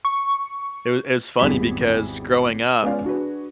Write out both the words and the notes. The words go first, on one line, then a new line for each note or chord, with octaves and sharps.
it was it was funny because growing up,
C#6
G#1 E2 G3 G#4 B5 B6
G#3 B3 C#4 F4 D5 F5
D4 F#4 G#4 B4